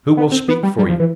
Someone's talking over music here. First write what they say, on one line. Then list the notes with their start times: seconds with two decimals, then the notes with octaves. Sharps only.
"Who will speak for you?"
0.17 B3
0.32 C4
0.48 B3
0.63 G3
0.79 G3
0.89 F3
1.00 E3